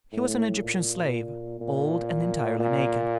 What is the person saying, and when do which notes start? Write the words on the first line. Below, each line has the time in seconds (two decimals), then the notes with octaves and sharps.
He was an Egyptian slave, old and entirely naked.
0.12 A2
0.62 A#2
1.60 A#2
2.59 A#2